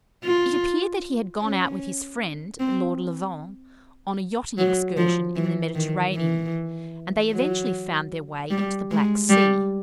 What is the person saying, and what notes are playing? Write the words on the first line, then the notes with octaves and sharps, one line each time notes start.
It appeared that he had gone out with his friend, Lord Levant, on a yachting excursion in the Mediterranean, and they eventually found their way into the Black Sea.
F4
C#4
C4
F#3
F3
E3
D#3
E3
F#3
G3
G#3
G3